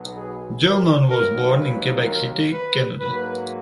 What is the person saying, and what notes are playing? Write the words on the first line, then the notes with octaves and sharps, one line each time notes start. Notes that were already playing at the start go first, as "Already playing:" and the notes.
Gillman was born in Quebec City, Canada.
Already playing: B1 B2 F#3 B3
G#4
A#4
D#2 D#3 F#3 A#4
B4
A#4
B4
G#2 F#3 A#3 B4